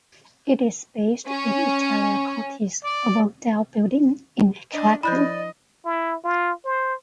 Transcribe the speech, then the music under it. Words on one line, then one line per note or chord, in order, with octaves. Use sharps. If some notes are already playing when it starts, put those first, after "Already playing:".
It is based in Italia Conti's Avondale Building in Clapham.
C#4
D5
D4 D#5
F3 E4 D5 D#5 B5 F#6 G6
E4
F4
C5